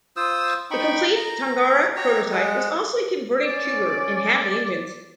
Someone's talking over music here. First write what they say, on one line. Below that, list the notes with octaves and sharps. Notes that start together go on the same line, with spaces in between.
The complete Tangara prototype was also a converted Cougar and had the engines.
F4 C5 D#6 E6
D#4 G5 B5 C#6
A#5
F#4 G4 C#5 A#5
G#3 F#5
C#4 D5